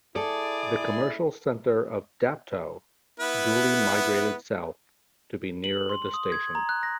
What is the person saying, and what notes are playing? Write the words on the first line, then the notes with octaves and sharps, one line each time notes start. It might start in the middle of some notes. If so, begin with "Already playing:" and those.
The commercial centre of Dapto duly migrated south to be nearer the station.
E4 G#4 A4 D5
B3 E4 B4
F#7
C6
D#6
G#6
A#5
F#6
A#6